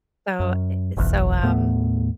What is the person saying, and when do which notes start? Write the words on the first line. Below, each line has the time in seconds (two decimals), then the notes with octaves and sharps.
so eh, e so, um,
0.40 F#2
0.97 F#1 B1 E2
1.43 D#2 A2 A3 B3